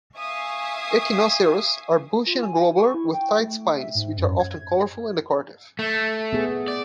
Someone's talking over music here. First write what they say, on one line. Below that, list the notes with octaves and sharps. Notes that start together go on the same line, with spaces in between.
"Echinocereus" are bushy and globular with tight spines which are often colorful and decorative.
E5 F5 G#5 C#6 D#6 C7
F4
G#5
C#6
E4
G5
A3
E5
G#2
F#2
G#6
A3
B3 G#4
D5